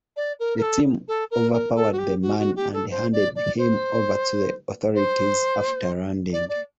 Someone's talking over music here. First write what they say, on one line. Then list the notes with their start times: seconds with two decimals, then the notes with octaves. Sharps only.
The team overpowered the man and handed him over to the authorities after landing.
0.16 D5
0.39 A#4
0.58 A#4
0.62 A4
1.08 A4
1.31 A#4
1.53 A#4
1.75 A4
1.92 F#4
1.98 G4
2.21 F#4
2.39 F#4
2.56 G4
2.73 A4
2.90 C5
3.12 D5
3.35 D5
3.58 C5
4.95 C5
6.32 D5
6.49 D5